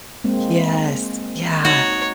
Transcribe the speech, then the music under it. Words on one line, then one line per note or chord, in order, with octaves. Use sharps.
Yes, yeah.
G#3 A#3 C4
D#4 F#4 C#5